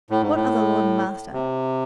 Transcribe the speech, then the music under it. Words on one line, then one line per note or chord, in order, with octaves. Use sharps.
What other lord and master?
A2
G#2
A2
C3